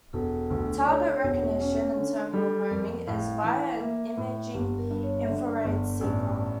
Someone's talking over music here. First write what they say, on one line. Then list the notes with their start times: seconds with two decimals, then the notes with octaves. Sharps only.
Target recognition and terminal homing is via an imaging infrared seeker.
0.13 E1 A4
0.50 D2
0.81 D5
0.87 D3 C#5
1.23 E1
1.61 C#4
1.97 D3
2.33 G3 A4
2.70 F2 A#4
3.07 A2 F5
3.44 E3
3.80 A#3 E5
4.17 A2
4.54 G1 G4
4.78 A#4
4.90 G2
5.03 C#5
5.22 E5
5.27 D3 D5
5.64 G1
6.01 A1 D5